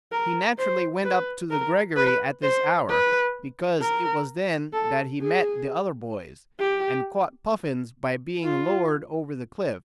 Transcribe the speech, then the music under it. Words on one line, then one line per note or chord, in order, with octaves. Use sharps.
He naturally went up to The Gregory at this hour, because it was then that he met the other boys, and caught puffins by being lowered over the cliff.
A#4
C5
B4
A#4
B4
C5
B4
A#4
A4
G#4
G4
F4